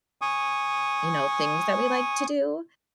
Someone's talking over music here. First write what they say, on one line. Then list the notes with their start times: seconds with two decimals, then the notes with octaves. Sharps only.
you know, things that we like to do,
0.21 G#5 C#6 D#6